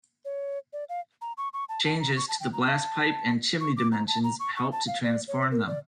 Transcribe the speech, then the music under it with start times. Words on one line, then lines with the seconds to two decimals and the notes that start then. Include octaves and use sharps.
Changes to the blastpipe and chimney dimensions helped to transform them.
0.25 C#5
0.73 D5
0.89 F5
1.21 A#5
1.37 C#6
1.53 C#6
1.69 A5
1.85 A5
2.00 A#5
2.16 C#6
2.28 A5
2.40 G5
2.53 A#5
2.65 A5
3.60 C#6
3.77 D6
3.92 A#5
4.08 A5
4.24 A#5
4.39 C#6
4.56 C#6
4.72 A5
4.87 F5
5.04 D5
5.28 C#5
5.51 A#4
5.68 D5